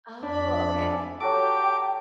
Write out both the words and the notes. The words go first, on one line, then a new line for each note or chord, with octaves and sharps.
Oh, okay.
F2 D4 B5
D5 E5 G#5
F#3 F#4 G4 A4 G5 D6